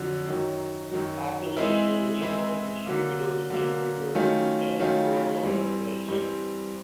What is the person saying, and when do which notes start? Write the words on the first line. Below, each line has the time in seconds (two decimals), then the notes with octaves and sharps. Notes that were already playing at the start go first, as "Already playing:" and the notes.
Population is evenly distributed in the urban and rural areas.
Already playing: F2 D3 F#3
0.27 F#2 D#3 F#3
0.91 F#2 D#3 F#3
1.57 E3 G#3 C4 E4
2.21 E3 G#3 C4 E4
2.86 D3 F#3 A#3
3.50 D3 F#3 A#3
4.15 D#3 F#3 A3 C#4 F4
4.79 D#3 F#3 A3 C#4 F4
5.44 G2 E3 G3 C4
6.08 G2 E3 G3 C4